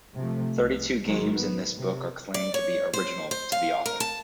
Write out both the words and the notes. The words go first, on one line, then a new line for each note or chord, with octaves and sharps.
Thirty two games in this book are claimed to be original to the author.
C3 F3 A3
C2
A1 G#2 D#3 F#3 G#3
B3
C3
D5
C#5
C5
C5
F5
A#4
A5